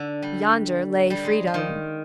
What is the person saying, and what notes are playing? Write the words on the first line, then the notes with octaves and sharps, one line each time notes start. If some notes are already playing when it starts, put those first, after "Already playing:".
Yonder lay freedom!
Already playing: D3
G3
G3
G#3
F3
D#3